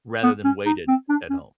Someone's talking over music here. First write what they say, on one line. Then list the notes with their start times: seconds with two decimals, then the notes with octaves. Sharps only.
rather than waited at home?
0.23 B3
0.44 C#4
0.66 D#4
0.88 C4
1.09 D4
1.30 C#4